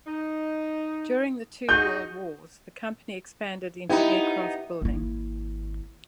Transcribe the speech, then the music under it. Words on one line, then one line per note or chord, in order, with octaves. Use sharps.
During the two world wars, the company expanded into aircraft building.
D#4
D#4 F#4 G#4 G6
B3 D#4 E4 G4
G#1 A#3 E4